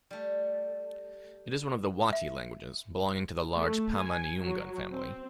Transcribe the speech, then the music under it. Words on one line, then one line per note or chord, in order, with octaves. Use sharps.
It is one of the Wati languages, belonging to the large Pama-Nyungan family.
G3 A3
E5
A3
G#5
F#3
C4